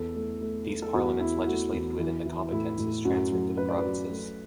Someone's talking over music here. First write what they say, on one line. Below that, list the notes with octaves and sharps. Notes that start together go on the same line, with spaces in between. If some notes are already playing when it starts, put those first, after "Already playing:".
These parliaments legislated within the competences transferred to the provinces.
Already playing: E2 A4
A3
A3
A3
A4
E2 F#4
E2 E4
A3 F#4
E2
E3
E3
A2 E4
A2
F#2 F#4
F#3
F#2 B4
D5
B4
F#3
A3